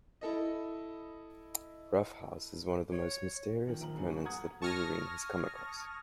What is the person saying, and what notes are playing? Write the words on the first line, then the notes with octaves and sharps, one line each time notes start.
Roughouse is one of the most mysterious opponents that Wolverine has come across.
E4 A4 D#5
C#5
F2 A#2 D#3
A#1 A#4 A#5 F#7
G2 A#3 B3 F#4 G#5
D#1 G#5 C#6
F#5 A#5 D#6 G#6
A5 C#6 D#6 F6 G#6 A#6